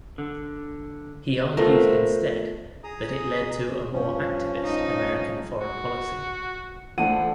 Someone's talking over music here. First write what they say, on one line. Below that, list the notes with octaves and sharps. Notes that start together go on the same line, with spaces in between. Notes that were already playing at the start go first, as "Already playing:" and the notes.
He argues instead that it led to a more activist American foreign policy.
D3
A3 B3 F4 A#4 C5
G#4 A#5 D#6
G2 F3 C#4
D#4
F#4
E3 F3 A3 D4 F#5 D#7